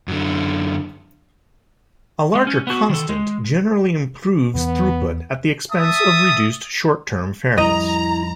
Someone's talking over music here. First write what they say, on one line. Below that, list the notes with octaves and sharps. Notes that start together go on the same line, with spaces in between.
A larger constant generally improves throughput at the expense of reduced short-term fairness.
F#2 D3
G#3
C#4
B3 F#4
D#3 A4
G#3
E2 E3 B3
E5 A5 D#6
F2 G3 E4 D#5 A#5